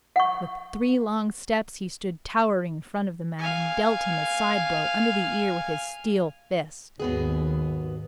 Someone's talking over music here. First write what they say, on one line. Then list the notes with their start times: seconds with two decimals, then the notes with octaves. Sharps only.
With three long steps he stood towering in front of the man and dealt him a side blow under the ear with his steel fist.
0.16 F#5 C#6
3.40 F5 G#5
6.99 G#1 D#2 F#3 B3 G#4